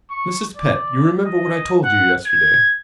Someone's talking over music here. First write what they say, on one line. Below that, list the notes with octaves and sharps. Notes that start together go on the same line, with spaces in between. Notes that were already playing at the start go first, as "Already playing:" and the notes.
"Mrs. Pett, you remember what I told you yesterday?"
C#6
D5
D#5
F#5
G#6